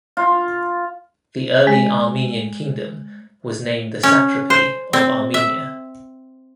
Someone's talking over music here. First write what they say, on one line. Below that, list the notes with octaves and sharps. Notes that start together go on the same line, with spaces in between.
The early Armenian kingdom was named the Satrapy of Armenia.
F4
G#3
C#4
C5
C4
E5